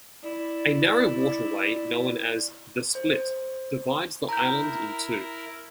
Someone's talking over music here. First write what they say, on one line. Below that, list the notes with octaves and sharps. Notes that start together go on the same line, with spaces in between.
A narrow waterway known as "the Split" divides the island in two.
E4 D5
C5
E4 A#4 A#5 G6